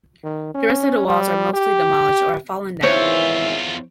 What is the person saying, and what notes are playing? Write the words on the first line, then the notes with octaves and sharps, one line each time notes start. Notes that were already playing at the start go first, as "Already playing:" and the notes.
The rest of the walls are mostly demolished or have fallen down.
D#3
C#4
G3
G4
G#1 E2 E3 F4 C5 C#5 E5